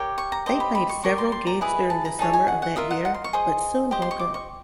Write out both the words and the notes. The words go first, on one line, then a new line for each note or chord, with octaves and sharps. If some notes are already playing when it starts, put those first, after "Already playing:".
They played several gigs during the summer of that year, but soon broke up.
Already playing: G4 A#4 C#5
C#6
A#5
G4 C5 D#5 A#5
B5
B5
C#6
G4 A#4 D5 C#6
C6
C6
A#5
E4 G#4 B4 D#5
A5
A#5
D#4 G#4 C#5 A5
G#5
F#5
F#5
F4 A#4 D#5 E5
F#5
F#5
C6
C#6
G#4 C5 D#5 D#6
G4 C5 D#5
C6
C#6
D6
C#6